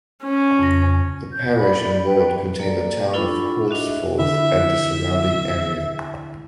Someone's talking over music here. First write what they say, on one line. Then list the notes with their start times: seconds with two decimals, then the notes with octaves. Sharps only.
The parish and ward contain the town of Horsforth and the surrounding area.
0.24 C#4
0.59 F2 C#3 A#6
1.33 G6
1.56 D5 B5
2.06 B4 G5
2.60 A#3 A4 D5
3.13 D4 E4 F4 A4 B5 C#6
3.68 D4 F#4 D#5 E5
4.19 D3 E4 E5